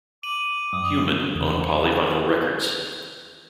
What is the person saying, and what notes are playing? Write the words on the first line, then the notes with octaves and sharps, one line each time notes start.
Human on Polyvinyl Records.
D6 D#7 F#7
F#2 D#6
E2 C#3